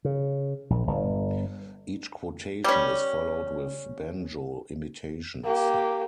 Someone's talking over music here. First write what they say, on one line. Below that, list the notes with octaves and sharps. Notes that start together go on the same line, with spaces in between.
Each quotation is followed with banjo imitations.
C#3
A#1
G1
G3 C#4
A#3 G4